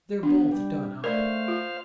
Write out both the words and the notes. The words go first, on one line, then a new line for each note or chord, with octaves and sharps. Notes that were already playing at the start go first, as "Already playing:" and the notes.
They're both done up.
B3 D4
G3 G4
A3 A#4 C5 D5 F5 F6
F4